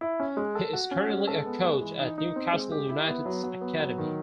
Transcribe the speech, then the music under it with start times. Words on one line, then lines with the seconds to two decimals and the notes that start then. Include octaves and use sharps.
He is currently a coach at Newcastle United's academy.
0.01 E4
0.20 C#4
0.37 G#3
0.55 A4
0.73 F#4
0.91 C#4
1.09 G#3
1.27 A4
1.46 B3
1.63 G#3
1.81 E3
1.99 D#4
2.18 D#4
2.36 C4
2.53 G#3
2.72 G4
2.89 E4
3.08 B3
3.26 F#3
3.44 F#3
3.61 B3
3.79 F#3
3.98 D#3